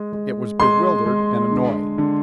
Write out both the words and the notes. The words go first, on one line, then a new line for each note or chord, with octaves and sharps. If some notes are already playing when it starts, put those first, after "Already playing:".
It was bewildered and annoyed.
Already playing: G#3
G#3
G#3 C6
G#3
D3
D3